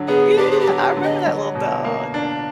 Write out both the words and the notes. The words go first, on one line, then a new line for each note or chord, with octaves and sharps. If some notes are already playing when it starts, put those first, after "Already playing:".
yeah, I remember that little dog,
Already playing: D3 F#3
B3 G#4
D4 G4
G#4
G4
F#3
D3
D#5
F#3
B2
A#3
D4